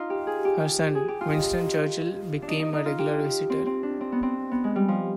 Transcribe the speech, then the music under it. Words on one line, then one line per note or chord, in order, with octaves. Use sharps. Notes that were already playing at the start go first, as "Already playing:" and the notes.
Her son, Winston Churchill, became a regular visitor.
Already playing: D#4 F4
G4
G#4
G4
G#4
G4
F4
D#4
D4
D#4
D#4
D#4
F4
G4
C4
C4
D4
C4
B3
C4
B3
G#3
G3
F3